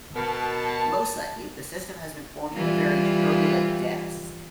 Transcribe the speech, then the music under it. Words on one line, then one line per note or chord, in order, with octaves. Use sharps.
Most likely, the system has been formed in a very turbulent disc.
B2 A#4 A5
E3 G3 F4